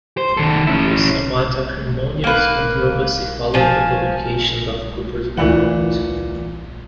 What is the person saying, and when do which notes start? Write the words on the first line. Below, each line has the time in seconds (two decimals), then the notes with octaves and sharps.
A somewhat acrimonious controversy followed the publication of Cooper's report.
0.17 C5
0.37 D#3 A4
0.67 C#4 E4
2.24 A#3 B4
3.54 F3 G#5
5.37 D2 A#2 E3 F#5